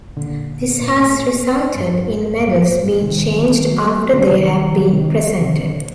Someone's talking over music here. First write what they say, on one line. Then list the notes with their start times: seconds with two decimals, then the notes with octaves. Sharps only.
This has resulted in medals being changed after they have been presented.
0.17 A#2 D3
0.81 A#2
0.96 A2
1.76 G2
2.39 A2
2.70 G2
2.87 A2
3.02 C3 D#3
3.34 D3 F#3
3.50 D#3 G3
3.66 F#3 A3
3.81 G3 A#3
3.98 F#3 A3
4.13 D3 F#3
4.29 C3 D#3
4.93 C3 D#3
5.40 C3 D#3
5.56 A#2 D3